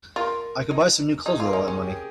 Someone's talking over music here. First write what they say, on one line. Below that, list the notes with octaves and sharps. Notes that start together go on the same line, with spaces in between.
I could buy some new clothes with all that money.
F4 A#4
D#4
D#4 G#4
F4
A#4
D#4
C#4 G#4
G4
G#4